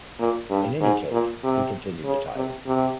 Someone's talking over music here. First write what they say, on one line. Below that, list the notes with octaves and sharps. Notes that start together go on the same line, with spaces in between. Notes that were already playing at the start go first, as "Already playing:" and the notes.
In any case, he continued the title.
A#2
G2
G#2
A#2
C3
C#3
C3
C3